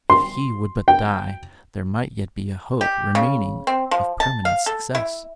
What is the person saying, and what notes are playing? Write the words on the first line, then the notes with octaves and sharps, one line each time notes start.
If he would but die, there might yet be a hope remaining of permanent success!
C6
G5
G4
C#3
C4
F3
A5
F5
A4
E4